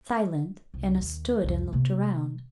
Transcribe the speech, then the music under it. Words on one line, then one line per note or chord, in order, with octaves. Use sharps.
Silent, Anna stood and looked around.
C2
D#2
C2 F2
C3 A#3